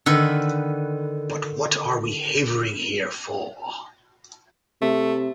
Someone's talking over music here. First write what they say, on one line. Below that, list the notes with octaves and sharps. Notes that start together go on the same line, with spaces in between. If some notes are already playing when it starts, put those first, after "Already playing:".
But what are we havering here for?
D3 D#3 B4
C3 A3